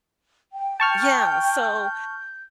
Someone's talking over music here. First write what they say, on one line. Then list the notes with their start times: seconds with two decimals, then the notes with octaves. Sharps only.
Yeah, so,
0.53 G5
0.80 A5 C#6 F6 G6